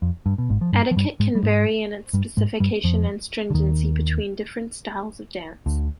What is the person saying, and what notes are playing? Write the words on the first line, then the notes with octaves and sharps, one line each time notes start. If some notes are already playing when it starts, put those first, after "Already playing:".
Etiquette can vary in its specification and stringency between different styles of dance.
F2
G2
B2
G#1 G#2
F3
G2 G3
F3
G2 G3
G#2 G#3
G3
G#2 G#3
G2 G3
G#2 G#3
G2 G3
F2 F3
D3
D#2 D#3
D2 D3